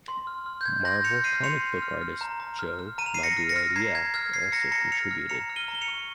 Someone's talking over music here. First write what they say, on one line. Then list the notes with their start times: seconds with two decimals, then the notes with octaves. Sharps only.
Marvel comic book artist Joe Madureira also contributed.
0.08 C6
0.27 F6
0.46 F6
0.61 G6
0.65 C6 G#6
0.85 C6 G6 A#6
1.04 F6 C#7 F7
1.24 F6 C7 D#7
1.43 C6 C#7 F7
1.62 C6
1.82 F6
2.01 F6
2.21 A#5
2.40 A#5
2.59 F6
2.79 F6
2.98 A#5 D#7
3.06 F7
3.14 C7 D#7
3.18 A#5
3.23 A#6 C#7
3.37 F6
3.49 A#6 C#7
3.56 F6
3.76 A#5 G#6 C7
3.95 A#5 G#6
4.14 F6 G#6
4.33 F6 G#6 C7
4.52 A#5 A#6 C#7
4.72 A#5 A#6 C#7
4.92 F6 C#7 F7
5.11 F6
5.30 A#5 C#7 F7
5.50 F6
5.56 D#7 G7
5.68 A#5
5.75 G7
5.81 C#7 F7
5.88 C#6